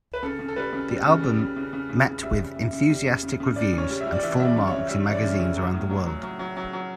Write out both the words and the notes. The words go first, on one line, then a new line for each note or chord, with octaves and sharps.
The album met with enthusiastic reviews and full marks in magazines around the world.
B4
C#3 A4
C#3
A4
G3 B4
C#3
G3
C#3
G3
C#3
C#3
C#3
C#3
C#3
G3 E5
C#3
C#3
C#3
G3
C#3
C#3
C#3
C#3 D5
C#3
C#5
G3
E5
G3
D5
E3 E5
G3 E5
D5
C#3
C#5
C#3
G3 E5
E3 C#5
D5
C#3
C#5
C#3
F#3
A2
F#3
F#3
F#3
F#3
F#3
F#3